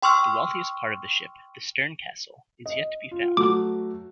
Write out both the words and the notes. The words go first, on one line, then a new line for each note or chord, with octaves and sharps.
The wealthiest part of the ship, the stern castle, is yet to be found.
G5 C6 C#6 E6 F6
D#5
F4
F#3 A3 F#4 D6